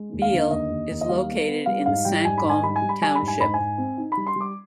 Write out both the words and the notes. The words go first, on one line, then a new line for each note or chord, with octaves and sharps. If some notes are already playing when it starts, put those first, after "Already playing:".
Biehle is located in Cinque Hommes township.
Already playing: G#3
D#2
F5
D3
D#2 D#5
D#2
D#2
D#5
G3 F5
B3
B3
G3 F5
G#2 F5
G3 G5
G#2 G#5
B5
G#2
G#5
G3 B5
G#5
G3
B5
G3 G#5
B5
G#2
G#5
G#2 B5
G#2 G#5
C4
D#4
B5
G3
C6
G3
D6